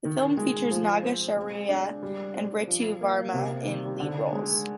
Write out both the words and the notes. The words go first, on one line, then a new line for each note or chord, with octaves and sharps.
The film features Naga Shaurya and Ritu Varma in lead roles.
D#3
G#3
F3
C4
G#3
D4
G3
C4
F3
A#3
C3
D#3
D3
G#3